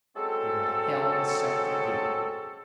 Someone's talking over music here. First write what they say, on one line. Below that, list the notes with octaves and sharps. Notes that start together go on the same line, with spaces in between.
You're a hell of a sect of people.
F#3 G#3 C4 C#4 A4